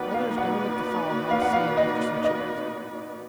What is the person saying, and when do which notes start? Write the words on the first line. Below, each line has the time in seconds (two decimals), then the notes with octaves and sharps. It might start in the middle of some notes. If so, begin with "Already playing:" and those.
Mother's down at the fowl-house seeing after some chickens.
Already playing: A#3 D#4 F#4 B4 D5 F#5 G5
0.14 F5
0.38 F#5
1.31 F5
1.42 F#5
1.53 F5
1.77 D#5
2.24 D#5